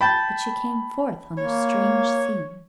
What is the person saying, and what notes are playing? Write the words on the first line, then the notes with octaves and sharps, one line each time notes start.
But she came forth on a strange scene.
G5 A5 B5 G6
A#3 C#5